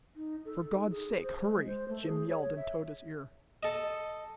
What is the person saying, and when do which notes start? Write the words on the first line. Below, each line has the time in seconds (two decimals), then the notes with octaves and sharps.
"For God's sake hurry!" Jim yelled in Tode's ear.
0.16 D#4
0.45 A4
0.74 D#4
0.90 G#4
1.23 C5
1.41 G#3
1.67 C5
1.89 A3
2.06 G#4
2.28 C#5
2.56 E5
3.63 A4 D#5